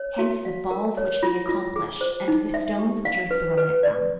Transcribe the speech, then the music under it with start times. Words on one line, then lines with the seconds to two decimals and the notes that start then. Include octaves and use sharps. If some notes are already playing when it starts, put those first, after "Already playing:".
Hence the falls which they accomplish, and the stones which are thrown at them.
Already playing: C#5
0.19 F#4
0.45 F5
0.71 A#4
0.97 C#5
1.23 F4
1.49 F4
1.76 G#4
2.01 C5
2.28 D#4
2.54 E5
2.79 G4
3.05 F5
3.31 B4
3.57 B4
3.83 D5